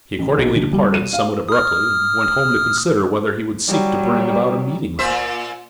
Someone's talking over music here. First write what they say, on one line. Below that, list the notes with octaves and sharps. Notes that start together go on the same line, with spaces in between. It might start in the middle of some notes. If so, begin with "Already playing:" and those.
He accordingly departed somewhat abruptly, and went home to consider whether he would seek to bring about a meeting with her.
A1
B1
D3
G3
D#7
F5
D#6 F6
F#3 G3
A#2 C5 E5